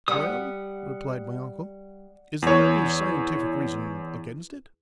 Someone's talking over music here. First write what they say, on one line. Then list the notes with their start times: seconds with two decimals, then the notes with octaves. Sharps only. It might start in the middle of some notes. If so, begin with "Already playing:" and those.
"Well," replied my uncle, "is there any scientific reason against it?"
0.08 G3 F#5 D#6
2.42 E2 C#5